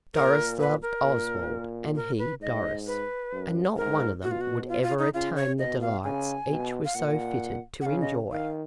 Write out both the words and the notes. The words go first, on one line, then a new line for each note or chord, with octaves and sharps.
Doris loved Oswald and he Doris; and not one of them would ever attain the delights each was so fitted to enjoy.
A#2 A#4
B4
A#4
A#2
A#4
B4
G#2 D#5
B4
F#2
G#2 A#4
B2 F#4
F4
F#4
F4
F4
D#4
C#3 F4
C#5
B2 D#5
F5
C#3 G#5
B2
F5
A#2 F#5
F#5
C#3 F5
D#5
D#3 F5